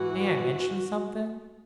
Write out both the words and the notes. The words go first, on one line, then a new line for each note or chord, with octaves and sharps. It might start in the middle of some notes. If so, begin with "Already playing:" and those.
May I mention something?'
Already playing: G#2 E3 F#4